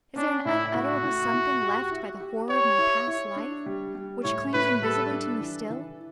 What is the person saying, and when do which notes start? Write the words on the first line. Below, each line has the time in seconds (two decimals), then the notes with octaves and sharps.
Is there an unutterable Something left by the horror of my past life, which clings invisibly to me still?
0.16 C#4 D4
0.45 A2 E4
0.75 A2 F#4
1.03 A2
1.33 A2
1.61 G4
1.91 E4
2.20 G4
2.50 G4 C#5
2.78 E4
3.07 E4
3.36 D4
3.66 G3
3.95 G3
4.24 A2 C#5
4.54 A2 B4
4.82 G3 A4
5.12 D4
5.41 E3
5.70 E3